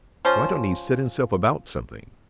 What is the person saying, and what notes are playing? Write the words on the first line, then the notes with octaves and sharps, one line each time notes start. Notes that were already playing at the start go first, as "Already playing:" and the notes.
Why don't he set himself about something?
F3 C#4 C5